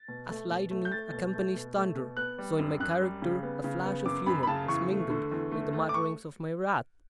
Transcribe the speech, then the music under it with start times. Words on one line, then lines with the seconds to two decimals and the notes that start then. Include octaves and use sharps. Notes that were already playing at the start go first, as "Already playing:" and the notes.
As lightning accompanies thunder, so in my character a flash of humour was mingled with the mutterings of my wrath.
Already playing: A6
0.08 B2
0.28 A3
0.50 B2
0.71 A3
0.85 G6
0.91 A3 A6
1.12 B2
1.34 A3
1.55 B2
1.75 A3
1.96 B2
2.17 B3 F#6
2.38 G3
2.59 F#2
2.80 F#2 F#6
3.01 G3
3.22 C#3
3.43 B3
3.64 C#3
3.84 B3
4.05 F#2 D6
4.26 F#2 B5
4.43 B5
4.47 C#3 A5
4.68 E2 C#6
4.90 A3
5.10 D3
5.31 E2
5.51 A3
5.73 A3
5.89 D6
5.94 C#6